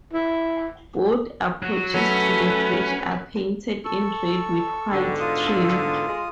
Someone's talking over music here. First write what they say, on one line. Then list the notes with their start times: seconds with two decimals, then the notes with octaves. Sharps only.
Both approaches to the bridge are painted in red with white trim.
0.13 E4
1.63 F#3 F#4
1.94 F#3 A3 C#4 A4 B4
3.85 A4 C#6 E6
4.93 G#2 B2 D3 G3 F#4
5.20 F4 D#6
6.08 G#3